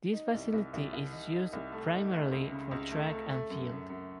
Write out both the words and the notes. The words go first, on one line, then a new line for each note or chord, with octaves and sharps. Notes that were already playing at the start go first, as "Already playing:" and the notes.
This facility is used primarily for track and field.
D#4
C2
C2
C2
C2
D#4
D#4
C2
A3
D#4
A3
C#2
C#3
C#2
A3
A3
A3
F#2
F#2
F#2